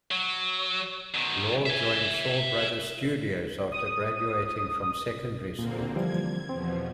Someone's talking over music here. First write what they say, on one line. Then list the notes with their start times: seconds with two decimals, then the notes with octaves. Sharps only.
Lau joined Shaw Brothers Studios after graduating from secondary school.
0.11 F#3
1.15 B2 D#3
1.66 E5 G#5
3.72 D#6
5.59 A#2 D3 A#3 C4
5.96 E3 F3 G3 G#6
6.49 E2 B2 F3 C4